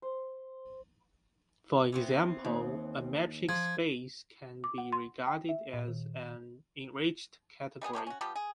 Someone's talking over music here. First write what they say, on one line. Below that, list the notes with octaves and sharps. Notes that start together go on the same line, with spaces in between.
For example, a metric space can be regarded as an enriched category.
C5
E3 B3 C4
D#2
F3 G#6
D6
F#5
C6
G5
E5
A#2
D#3
G3 A3 B3 G#4
C3 F3 G4 C#5
C#4 F#4
F3 G3 B3 G4
G#4